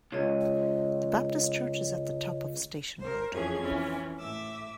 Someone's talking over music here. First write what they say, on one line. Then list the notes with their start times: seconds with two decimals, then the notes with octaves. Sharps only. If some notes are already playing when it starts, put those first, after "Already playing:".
The Baptist Church is at the top of Station Road.
0.12 C#2 C#5 D#5
2.99 A#4 C5
3.33 F2 E3 C#4 G#4 C#5 G#6
3.61 E3 C4 C#4
4.19 A2 E5 D6 E6